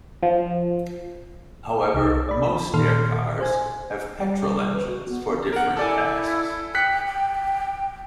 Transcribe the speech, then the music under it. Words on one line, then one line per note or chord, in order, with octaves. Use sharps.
However, most air cars have petrol engines for different tasks.
F3
C2 D#4
D5 B5
A#2 D#3 A4 C6 F6
C5 G#5
G3
B4
F#4
B3
A#4 F#5
E4 A4 D5 G#5
G5 F#6 B6 C#7
G5